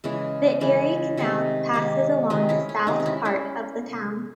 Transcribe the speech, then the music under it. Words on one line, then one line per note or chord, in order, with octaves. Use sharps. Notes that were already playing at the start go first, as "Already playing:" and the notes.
The Erie Canal passes along the south part of the town.
C#3 E3 G#3 C#4
C#3 E3 G#3
C3 D#3 G#3
C3 D#3 G#3
C3 D#3 G#3 D#4
C#4 E4
C#4
C3 D#3 G#3 D#4
D#4
C#4 E4
C#4 E4